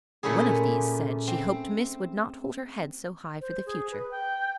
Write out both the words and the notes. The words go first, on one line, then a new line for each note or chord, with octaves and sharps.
One of these said she hoped miss would not hold her head so high for the future.
A#2 A3 C#4 E4 G#4
C4
C5
G#4
B4
G5